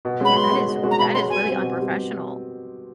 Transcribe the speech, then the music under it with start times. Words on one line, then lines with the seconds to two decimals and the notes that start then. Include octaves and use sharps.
Yeah, that is that is really unprofessional.
0.05 B2
0.21 G#3 C#4 F#4 B5
0.36 B2 C6
0.52 G#3 C#4 F#4
0.68 B2
0.83 G#3 C#4 F#4
0.91 A#5
0.99 B2 B5
1.14 G#3 C#4 F#4 C6
1.30 B2 G#5
1.46 G3 C4
1.62 B2
1.77 G3 C4
1.93 B2